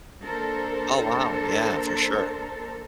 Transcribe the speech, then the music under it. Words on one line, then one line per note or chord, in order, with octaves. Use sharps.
Oh, wow. Yeah, for sure.
A#3 D4 A4 A#4 C5